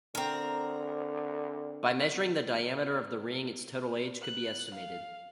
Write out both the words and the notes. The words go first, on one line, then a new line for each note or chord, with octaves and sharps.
By measuring the diameter of the ring, its total age could be estimated.
D3 C4 A#4
F#6
F5